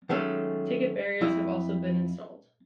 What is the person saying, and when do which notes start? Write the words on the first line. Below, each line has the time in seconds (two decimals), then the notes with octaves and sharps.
Ticket barriers have also been installed.
0.09 D#3 F#3 G#3 A3 C#4 A4
1.21 F2 E4 D#5